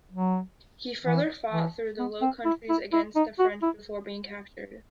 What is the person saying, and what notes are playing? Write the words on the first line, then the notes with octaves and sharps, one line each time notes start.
He further fought through the Low Countries against the French before being captured.
F#3
E3
E3
B3
C4
E4
E4
E4
D#4
F#4
E4